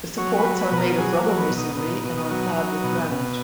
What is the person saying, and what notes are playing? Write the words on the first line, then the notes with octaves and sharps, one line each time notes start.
The supports are made of rubble masonry and are clad with granite.
F#3 C#5
B4
F#3
B4
B2 B4
A#4
F#3 G#4
A#3
F#3
B3
B2
D#4
B2 D#4
B2
D#4
F#3
F#3
B2
B2